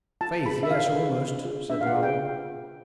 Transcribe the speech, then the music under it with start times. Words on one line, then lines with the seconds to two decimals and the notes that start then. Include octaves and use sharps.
"Faith, yes, almost," said Raoul.
0.21 F4 A5
0.46 G#4 B5
0.49 B4
0.63 E5
0.71 F4 F5
0.95 G#4 B4
1.20 D4
1.45 F4 G#4 B4
1.70 D4 E5
1.81 F5
1.86 F#5
1.95 F4 G#4 B4
2.03 G5